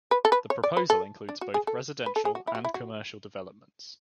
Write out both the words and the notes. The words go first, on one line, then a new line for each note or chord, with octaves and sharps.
The proposal includes both residential and commercial developments.
B4
A4
B4
C#5
D5
B4
A4
D4
F#4
G#4
A4
B4
A4
G#4
F#4
E4
F#4
E4
F#4